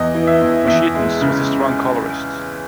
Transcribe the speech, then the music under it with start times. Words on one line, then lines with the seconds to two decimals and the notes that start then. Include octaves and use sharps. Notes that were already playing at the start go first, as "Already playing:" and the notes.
Machetanz was a strong colorist.
Already playing: E2 D#5
0.15 E3
0.27 E5
0.41 E2
0.67 E2 E5
0.95 G#3
1.21 C#3